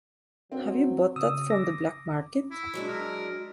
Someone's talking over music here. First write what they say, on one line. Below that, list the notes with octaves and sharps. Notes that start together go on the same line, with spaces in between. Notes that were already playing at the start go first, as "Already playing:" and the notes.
Have you bought that from the black-market?
F#3 C4
C#3 D#6 E6
D6 A#6
E4
F#3 G#3 D4
A#4